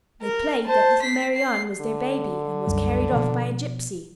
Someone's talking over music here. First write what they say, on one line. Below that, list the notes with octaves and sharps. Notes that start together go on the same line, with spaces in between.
They played that little Marianne was their baby, and was carried off by a gypsy.
A#4
C5 A5
B6 C7
C7
D3
C2 F#2 G3
B2 F3